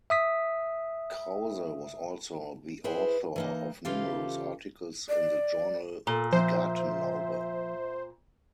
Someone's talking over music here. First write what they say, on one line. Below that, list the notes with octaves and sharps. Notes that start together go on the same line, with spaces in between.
Krause was also the author of numerous articles in the journal "Die Gartenlaube".
E5 D#6 B6
E4 G#4 B4 C5
E3 A#3 D#4
C#3 E3 F4 G4 A4 F5
D5
A#2 A4
F3 C5 E5